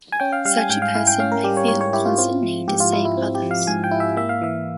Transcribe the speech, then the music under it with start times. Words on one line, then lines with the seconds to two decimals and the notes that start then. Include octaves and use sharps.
Such a person may feel a constant need to "save" others.
0.12 G#5
0.20 C#4 G5
0.33 F5
0.45 G3 F5
0.57 G#5
0.70 G#2 G5
0.82 F5
0.94 E4 F5
1.07 G5
1.19 C#4 F5
1.32 A#4
1.44 G3 G4
1.57 C#5
1.68 G#2 C#5
1.81 C#5
1.93 E4 G4
2.05 F4
2.18 C4 F4
2.43 F3
2.68 G#2 G4
2.80 F4
2.93 E4 F4
3.05 E4
3.17 C4
3.35 G4
3.42 F3
3.51 F5
3.67 G#2 G#5
3.84 G5
3.91 E4
4.00 E5
4.17 A#3 E5
4.29 F5
4.42 E3 E5